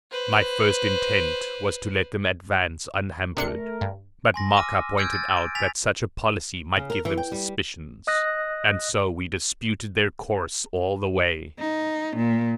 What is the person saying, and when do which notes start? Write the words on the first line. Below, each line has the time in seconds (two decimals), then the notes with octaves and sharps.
My first intent was to let them advance unhampered; but Maka pointed out that such a policy might give them suspicions, and so we disputed their course all the way.
0.11 B4 C5
3.37 C3 A3 D4 A#4 C#7
3.81 G2
4.34 G#5 C6 A#6
4.57 D6 E6 F6 A#6 D#7
4.98 E6 F6 G6 G#6 D7
5.13 A6
5.37 D7
5.55 G#5 A6 B6 F7
6.76 C#3
6.90 A#4
7.05 E3
7.17 G5
7.32 G3
8.07 D#5 D#6 F#6 A#6
11.59 D#4
12.16 A#2